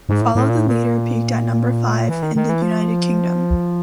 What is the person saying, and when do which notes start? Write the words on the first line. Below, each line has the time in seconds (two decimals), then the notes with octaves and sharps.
"Follow the Leader" peaked at number five in the United Kingdom.
0.09 G#2
0.22 A2
0.35 A2
0.50 A#2
0.58 A2
0.68 A#2
2.09 E3
2.23 D#3
2.36 D#3
2.49 E3
2.62 F3